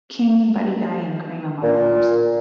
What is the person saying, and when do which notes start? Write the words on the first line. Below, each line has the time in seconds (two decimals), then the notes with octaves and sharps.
King, Buddy Guy and Cream among others.
1.63 A#2